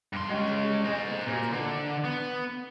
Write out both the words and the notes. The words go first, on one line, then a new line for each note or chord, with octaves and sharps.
I'm doing great. How are you doing today?
G2 C6
G#3 C#4
C5 D#5
A#2
D3
B3